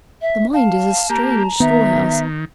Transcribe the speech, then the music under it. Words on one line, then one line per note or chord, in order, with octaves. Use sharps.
The mind is a strange storehouse.
E5
F5 A5
A#3 G4 A#5
D#3 B3 E5